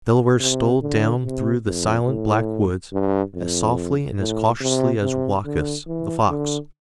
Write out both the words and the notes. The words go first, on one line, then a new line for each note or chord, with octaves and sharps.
The Delawares stole down through the silent black woods as softly and as cautiously as Woakus, the fox.
C3
D3
C3
F2
A2
G2
F2
A2
C3
C3
D3
E3
D3